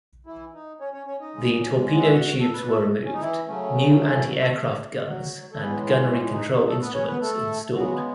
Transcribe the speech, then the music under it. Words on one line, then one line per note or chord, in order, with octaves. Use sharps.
The torpedo tubes were removed, new anti-aircraft guns and gunnery control instruments installed.
E3 E4
D#4
C#4 C#5
C#4 C#5
C#4 C#5
D#4 D#5
C#3 E3 G#3 C#4
F#5
E5
F#4 F#5
A4
B4
A3 A4
C#4
D#4
E3 E4
C#3 F#3 A3 C#4
D#4
E3 E4
F#3 F#4
A3 A4
F#3 F#4
A4
A2 E3 G#3 B3 C#4 B4
F#3 F#4
C#4
D#4
D#4
A3 A4
B3 B4
C#4 C#5
B3 B4
A3 A4
C#3 F#3 G#3 B3 F#4